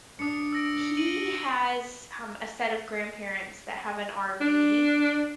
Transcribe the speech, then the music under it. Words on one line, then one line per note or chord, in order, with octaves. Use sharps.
He has, um, a set of grandparents that have an RV,
D4 D#6 C#7
E6 A#6 D7
D7 D#7 F#7
D4